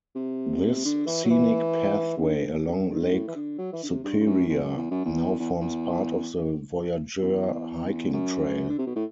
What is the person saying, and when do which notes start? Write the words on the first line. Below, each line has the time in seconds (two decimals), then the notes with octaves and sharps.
This scenic pathway along Lake Superior now forms part of the Voyageur Hiking Trail.
0.15 C3
0.85 D3
1.07 E3
1.24 F#3
1.30 E3
2.17 C3
2.21 D3
2.66 F#2
2.83 F#2
2.90 G2
3.12 A2
3.28 E3
3.35 D3
3.58 F#3
3.73 E3
3.83 D3
3.89 C3
4.04 G2
4.20 G2
4.26 F#2
4.49 E2
4.62 F#2
4.77 E2
4.91 F#2
5.05 E2
5.39 E2
5.60 E2
7.22 E2
8.13 F#2
8.69 D3
8.78 C3
8.86 B2
8.96 A2